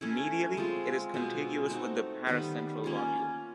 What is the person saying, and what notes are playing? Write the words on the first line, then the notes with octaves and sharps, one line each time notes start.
Medially, it is contiguous with the paracentral lobule.
A3 C#4 E4
G#3 C4 F4
B2 G#3 C4
A3 C4 D#4 F#4
D#3 G3 B3
A#3 C#4 F4